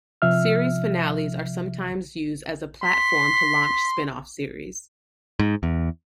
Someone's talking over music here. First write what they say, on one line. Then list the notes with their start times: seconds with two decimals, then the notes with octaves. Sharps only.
Series finales are sometimes used as a platform to launch spinoff series.
0.22 C3 F3 E5 F6
2.82 C6 B6
5.39 G#2
5.63 E2